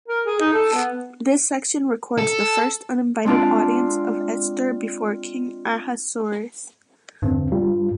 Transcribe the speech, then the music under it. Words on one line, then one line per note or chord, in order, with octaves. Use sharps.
This section records the first uninvited audience of Esther before king Ahasuerus.
A#4
G#4
D#4
A4
B3
A4
G#3 C4 D4 F4
E2 G2 D3 C4
G3 F4